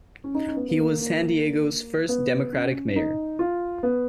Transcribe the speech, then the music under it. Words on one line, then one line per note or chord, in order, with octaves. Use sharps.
He was San Diego's first Democratic mayor.
C#4
D#4
C#4
B3
B3
A#3
A#3
B3
C#4
D#4
F4
B3